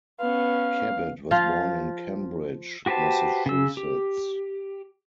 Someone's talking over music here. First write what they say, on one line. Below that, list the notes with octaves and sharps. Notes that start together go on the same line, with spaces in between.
Cabot was born in Cambridge, Massachusetts.
B3 C#4 F5
F3 F4 F5
F#4 G4 B4 C5 A5
C#3 E6
G4